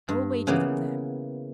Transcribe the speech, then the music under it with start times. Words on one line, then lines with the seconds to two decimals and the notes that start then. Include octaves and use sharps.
"I will wager them, then."
0.09 G2
0.47 C#3 E3 A#3 B3